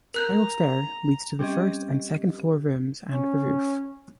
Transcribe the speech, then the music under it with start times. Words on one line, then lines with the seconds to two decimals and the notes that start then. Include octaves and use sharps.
A spiral stair leads to the first and second floor rooms and the roof.
0.14 A#4 A#5 F#6 G6
1.39 G3 C4 C#4 G4 D#5
3.11 C#4